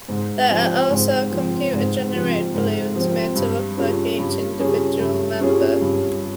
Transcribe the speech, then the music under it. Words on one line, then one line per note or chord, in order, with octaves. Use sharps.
There are also computer-generated balloons made to look like each individual member.
G#2
F3 C4
G#2
F3 C4
G#2
F3 C4
G#2
F3 C4
G2
G3 C#4 F4 G#4
G2
G3 C#4 F4 G#4
G2
G3 C#4 F4 G#4
G2